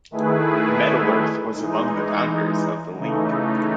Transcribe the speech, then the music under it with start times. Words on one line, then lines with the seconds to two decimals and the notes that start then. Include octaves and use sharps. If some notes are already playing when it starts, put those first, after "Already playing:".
Metalurh was among the founders of the League.
0.11 D#3 A3 E4 G#4 B4
1.54 E3 G#3 D#4
2.97 C#3 E3 A3 D#4